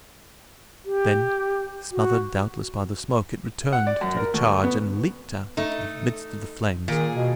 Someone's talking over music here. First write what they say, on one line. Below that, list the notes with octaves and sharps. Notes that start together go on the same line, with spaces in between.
Then, smothered doubtless by the smoke, it returned to the charge and leaped out into the midst of the flames.
G4
F#4
F#5
D5
F#2
A#4
D2
B3
A3 D#4
A#2 D#3 G#4
B2